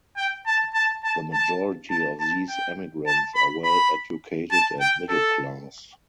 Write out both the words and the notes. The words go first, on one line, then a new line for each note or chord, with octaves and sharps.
The majority of these emigrants are well-educated and middle-class.
G5
A5
A5
A5
A5
A5
A5
G5
A5
B5
B5
A5
G5
A4